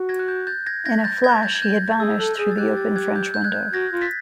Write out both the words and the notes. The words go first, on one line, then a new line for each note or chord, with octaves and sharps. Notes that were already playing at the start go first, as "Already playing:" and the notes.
In a flash he had vanished through the open French window.
Already playing: F#4
G#6 A#6
F#6
G6
G6 A6
G#6 A#6
G#6 A#6
G6 A6
G#6 A#6
G6 A6
G#6
G6
G#4 E6
A4 F#6
G#4 G6
A6
G4 F#6 G#6
G6 A6
F#6 G#6
G6
G6
F#6 G#6
F#4 G#6 A#6
F4
A6 B6